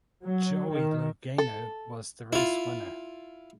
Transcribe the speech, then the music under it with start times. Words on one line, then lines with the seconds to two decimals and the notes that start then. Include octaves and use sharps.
Joey Logano was the race winner.
0.24 F#3
0.70 D#3
1.38 A4
2.33 E4 F4